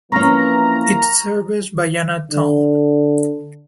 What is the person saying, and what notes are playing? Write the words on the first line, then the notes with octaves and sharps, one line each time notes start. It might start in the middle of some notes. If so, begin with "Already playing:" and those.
It serves Bayana town.
E3 F3 A#3 C4 C#4 A#5 C#6 F6
D3